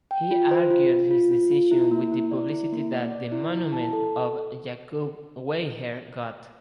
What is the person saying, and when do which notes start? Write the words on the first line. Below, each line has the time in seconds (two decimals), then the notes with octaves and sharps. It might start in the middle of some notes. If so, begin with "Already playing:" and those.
He argued his decision with the publicity that the monument of Jakub Weiher got.
0.11 G5
0.31 F4
0.51 C5
0.71 F4
0.92 F4
1.11 F4
1.31 F4
1.51 F4
1.71 E4
1.91 A#3
2.12 E4
2.31 D5
2.52 E4
2.73 A#3
2.92 D5
3.12 D5
3.32 E4
3.53 E4
3.73 A5
3.93 A4